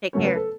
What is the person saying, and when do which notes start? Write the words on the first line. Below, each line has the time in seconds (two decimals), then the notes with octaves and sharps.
Take care.
0.13 C#3 F#3 A3 C#4 C#5
0.24 B4
0.36 A4